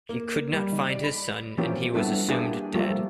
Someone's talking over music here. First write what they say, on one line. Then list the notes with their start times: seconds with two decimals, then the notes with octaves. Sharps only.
He could not find his son and he was assumed dead.
0.09 A#3
0.53 G3
0.72 D#3
0.90 D5
1.04 B5
1.58 E3 F3 A#3 C#4 G4
1.94 G3 B3 D4 E4 A4
2.28 A#3 D4 E4 G4 G#4
2.74 F3 G3 A3 A#3 F4